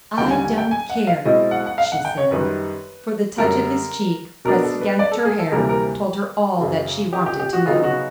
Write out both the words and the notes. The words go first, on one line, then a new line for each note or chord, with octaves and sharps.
"I don't care," she said, for the touch of his cheek, pressed against her hair, told her all that she wanted to know.
D#2 D3 G3 G5
G#5
G#5
G5
G#5
F#5
F5
B2 G#3 C4 E4 D#5
F#5
F#5
F5
F#5
G5
C#5
F#2 D#3 G3 B4
F#2 D3 G3 A#4
B2 F#3 B3 D4 A#4
A4
B4
D5
A4
G#4
A4
D2 C3 E3 G3 A#3 A#4
A#4
F#2 C#3 F#3
G4
G4
G4
F#4
C#3 F#3 B3 D#4 F4
F#4